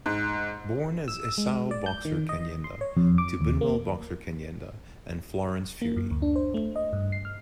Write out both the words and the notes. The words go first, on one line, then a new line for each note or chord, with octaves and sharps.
Born as Esau Boxer Kanyenda, to Binwell Boxer Kanyenda and Florence Phiri.
G#2
E6
G#3
D5
G6
D#3
D#5
C6
C#5
F2
D6
D#2
A#3
A#3
F#2
D2
D4
C5
A3
D#5
G2
C7
F6